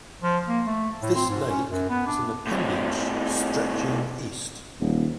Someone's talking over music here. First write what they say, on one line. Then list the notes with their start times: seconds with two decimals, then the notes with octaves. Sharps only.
This lake has an appendage stretching east.
0.23 F3
0.47 A#3
0.66 A3
1.02 A2
1.15 C4
1.29 G#2
1.48 C#4
1.70 F#2
1.90 B3
2.07 D4
2.47 A2 C3
4.80 D#1